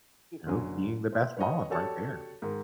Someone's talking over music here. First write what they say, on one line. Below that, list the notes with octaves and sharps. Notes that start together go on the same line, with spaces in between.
you know, being the best mom right there.
F#1 D3 F#3 G#5
C5 E5
B4 C#5 D#5
F#4 G4 A4 C#5 D5 A5
G#2 D#3 A#4